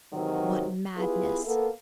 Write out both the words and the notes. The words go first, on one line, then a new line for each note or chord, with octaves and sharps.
What madness.
G#2 C3 D#3 E3 F#3
B3 E4 F4 G4 G#4 B4
A#3 B3 A4